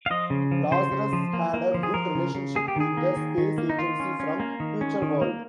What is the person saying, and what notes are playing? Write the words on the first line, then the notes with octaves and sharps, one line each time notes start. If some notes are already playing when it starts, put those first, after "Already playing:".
Lazarus had a good relationship with the space agency from "Futureworld".
F5
F3 D#5
C#3
F3
C#3 C5
C#3
F3
A#3
A#3
F3
G#4
F3 A#4
C#3
C#3
A#3 G#4
G4
D#3 G#4
A#3
D#3
D#3
A#3
D#4
D#3 F4
C#4
C#4
A#3
D#3
C#4
D#3
A#3